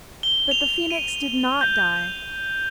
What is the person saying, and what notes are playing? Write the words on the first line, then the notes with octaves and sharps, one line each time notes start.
But the Phoenix did not die.
G7
F7
D#7
G6
F7